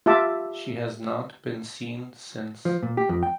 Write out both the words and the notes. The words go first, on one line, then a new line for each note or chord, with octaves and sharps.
She has not been seen since.
F4 G4 E5 A5 D6
F3
A#2
G4
F2
G5